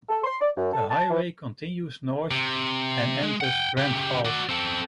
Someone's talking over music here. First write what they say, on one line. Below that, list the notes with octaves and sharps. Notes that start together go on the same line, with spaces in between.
The highway continues north and enters Grandfalls.
A4
C6
D5
F#2
A4
A5
E3
C3
G#3
F#5 G5
C#3 G4
F#4 D5
C4 A4